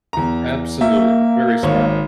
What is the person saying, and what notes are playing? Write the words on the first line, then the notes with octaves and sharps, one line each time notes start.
Absolutely, v very smart.
E2 A#5
A#3 E5
G#1 C#5